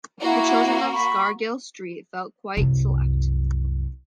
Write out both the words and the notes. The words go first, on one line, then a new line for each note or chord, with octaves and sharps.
The children of Scargill Street felt quite select.
A#3 E4 F#4
B5 C#6
C2 F#2